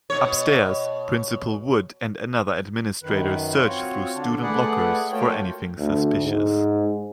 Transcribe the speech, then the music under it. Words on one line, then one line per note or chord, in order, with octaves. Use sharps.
Upstairs, Principal Wood and another administrator search through student lockers for anything suspicious.
B2 C#5
F#2 D#3 B4
C4 F4 F#4 C#5
D3 D4
A3 G#4 B4 D5 F#5
A3 A#3 F4 F#4 C#5 G5
D2
G#2